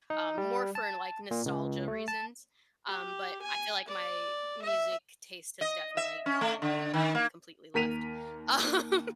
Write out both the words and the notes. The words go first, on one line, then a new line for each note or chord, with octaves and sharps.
um, more for like nostalgia reasons. Um, but I feel like my music taste has definitely gone, um, completely left, um.
D#4
G3
A5
A#2
C#2
A3
A5
G4
G#5
D5
E5
D#5
E5
C#4
A3
D3
D#3
A#3
D#2 A#4 B6 D#7 F7